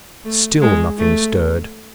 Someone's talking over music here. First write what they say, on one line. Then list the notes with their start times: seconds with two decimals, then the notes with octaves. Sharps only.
Still nothing stirred.
0.24 A3
0.62 G#3
0.98 A3